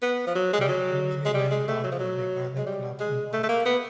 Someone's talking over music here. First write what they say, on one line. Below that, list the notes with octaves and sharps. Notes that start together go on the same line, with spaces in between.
He had previously lined out with the Garda club in Cork.
B3
F3
F#3
G#3
G3
F#3
G#3
G3
G#3
A3
F#3
F3
F#3
G#3
G3
G#3
A3
A3
A#3
B3